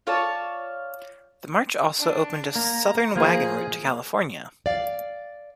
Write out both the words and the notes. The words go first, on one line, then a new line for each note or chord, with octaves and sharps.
The march also opened a southern wagon route to California.
F4 C#5 D5 A5
D4
A#3 A#5
F3 A#3 F4 G#4
D5 F5